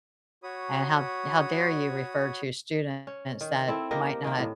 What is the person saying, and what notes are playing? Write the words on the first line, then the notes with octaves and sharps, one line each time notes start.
And how how dare you refer to students that might not
F#4 C#5 B5 D#6
C#4
D#3
C4 E4 A4
A#3 G4 A#4 D#5
D#3 A#3
A2